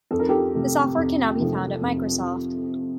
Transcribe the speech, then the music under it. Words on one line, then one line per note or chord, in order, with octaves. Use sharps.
The software can now be found at Microsoft.
F2 A4
A#4
G4 A4
C3 F3 A3
F2
C3 F3 A3
F2